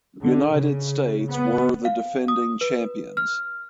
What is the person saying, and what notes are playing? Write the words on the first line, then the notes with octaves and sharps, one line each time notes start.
United States were the defending champions.
D3
C#3
B3
F5
D#6
B4
F6